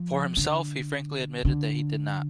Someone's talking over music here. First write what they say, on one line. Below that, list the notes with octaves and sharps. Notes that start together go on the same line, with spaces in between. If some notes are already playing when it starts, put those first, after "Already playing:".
For himself, he frankly admitted that he did not.
Already playing: F3
D3
D3